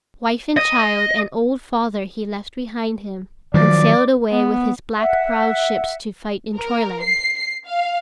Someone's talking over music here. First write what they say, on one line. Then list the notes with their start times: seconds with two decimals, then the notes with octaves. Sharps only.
Wife and child and old father he left behind him and sailed away with his black-prowed ships to fight in Troyland.
0.57 D#5
3.54 D#3 F3 F#3 D5
4.31 B3
4.98 E5 F#5
6.56 A#4
7.01 C7
7.37 C7
7.67 F5